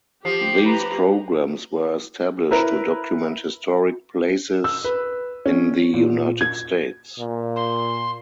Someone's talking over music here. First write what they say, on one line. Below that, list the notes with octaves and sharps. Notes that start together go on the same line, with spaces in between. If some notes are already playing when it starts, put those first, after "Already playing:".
These programs were established to document historic places in the United States.
F3 G4 C7
B4 A#5 B5
E4 A#4 B4
E6
B4
C#4
A#2
G#6
A#2
C6